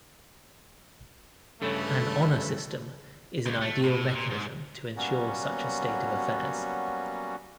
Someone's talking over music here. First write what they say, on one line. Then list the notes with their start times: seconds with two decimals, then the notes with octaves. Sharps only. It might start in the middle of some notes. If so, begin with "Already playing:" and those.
An Honor System is an ideal mechanism to ensure such a state of affairs.
1.62 G2 C#3 E3 A3 A4 C#5
3.46 C#2
3.62 A3
3.84 A2
4.15 A#2
4.31 G#2
4.96 F#3 G3 A#3 B3 C#4 F#4